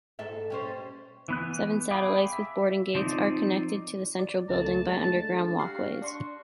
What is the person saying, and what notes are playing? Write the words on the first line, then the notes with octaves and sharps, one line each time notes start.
Seven satellites with boarding gates are connected to the central building by underground walkways.
G#2 A4 E5
G3 C#4 C5
E3 B3 F#6
G#4 F5 G5 B5 D6
E5
F3 C4 D#4 D5
D5
C#2 A3 A#3 A5
G#3 A3 D4
F#4 G4 F5 C7
D4 C6 C#6